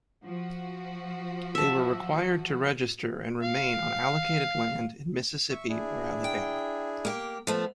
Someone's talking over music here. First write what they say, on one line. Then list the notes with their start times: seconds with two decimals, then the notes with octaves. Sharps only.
They were required to register and remain on allocated land in Mississippi or Alabama.
0.24 F3 F#4
1.55 E5 A5
3.43 F5
5.50 E5 C#6
5.69 D4 E4 G#4
6.24 G5
7.05 A#3 G4
7.47 F3 A3 B3